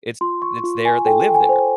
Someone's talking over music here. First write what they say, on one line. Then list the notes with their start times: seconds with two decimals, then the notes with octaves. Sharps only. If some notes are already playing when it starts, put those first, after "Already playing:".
It's it's their they live there.
0.21 F4 C6
0.42 C#6
0.64 F4
0.85 G#5
1.05 A4 G5
1.29 G5
1.34 G#5
1.49 C5